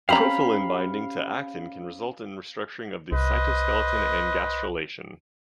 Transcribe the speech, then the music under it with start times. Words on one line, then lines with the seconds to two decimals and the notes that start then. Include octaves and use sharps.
Profilin binding to actin can result in restructuring of the cytoskeleton and gastrulation.
0.09 C4 C#4 G4 F5 A#5 B5
3.12 C2 B4 C5 D#5